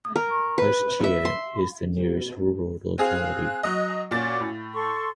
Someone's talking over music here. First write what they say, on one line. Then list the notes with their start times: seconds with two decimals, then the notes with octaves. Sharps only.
Ustye is the nearest rural locality.
0.16 A#4
0.58 B4
1.04 E5
1.25 C6
2.98 C4 G#4 F5 F#6
3.63 F#3 D#5
4.11 A#2 C#4 F#4 D6 A6
4.40 A2
4.74 A4 C6 C#6